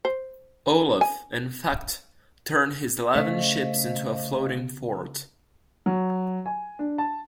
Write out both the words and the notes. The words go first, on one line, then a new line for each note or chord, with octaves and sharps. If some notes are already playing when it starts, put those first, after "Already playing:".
Olaf, in fact, turned his eleven ships into a floating fort.
C5
G#5
C#3 A3 C5 D#5 F5
F#3
G#5
D4
A5